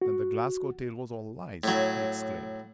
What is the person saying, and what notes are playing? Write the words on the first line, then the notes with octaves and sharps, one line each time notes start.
"Then the Glasgow tale was all lies?" he exclaimed.
F#4
A2 F#3